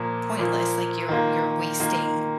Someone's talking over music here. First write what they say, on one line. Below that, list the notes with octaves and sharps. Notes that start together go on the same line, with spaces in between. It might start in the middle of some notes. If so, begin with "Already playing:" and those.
pointless. Like, you're you're wasting
Already playing: A#2 F3 A#3
A#2 F3 A#3
D#3 A#3 F4
D#3 A#3 F4